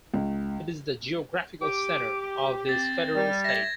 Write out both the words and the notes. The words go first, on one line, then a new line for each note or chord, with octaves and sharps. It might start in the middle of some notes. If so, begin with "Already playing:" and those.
It is the geographical center of this federal state.
C#2
G4 D6
C4 A6
G3
E5 G#6 A#6